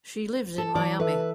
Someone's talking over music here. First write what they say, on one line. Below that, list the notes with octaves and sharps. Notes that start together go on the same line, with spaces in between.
She lives in Miami.
A4
E3 D5
A4 B4 E5